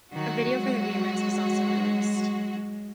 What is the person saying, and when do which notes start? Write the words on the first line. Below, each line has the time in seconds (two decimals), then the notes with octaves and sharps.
A video for the remix was also released.
0.13 D#3 F#3 F#4
0.54 G#3